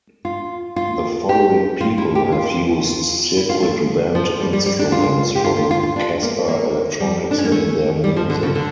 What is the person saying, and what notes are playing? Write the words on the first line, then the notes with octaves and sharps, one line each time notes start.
The following people have used circuit bent instruments from Casper Electronics in their music.
F4
F4
G4
F4
E4
G4
F4
F4
E4
F4
A3
F3
G3
G3
G3
D4
F4
G4
F4
F4
F4
F4
D4
A#3
A#3
G3
D4
C#4
A#3
A3
G3
F3
D3
C#3
D3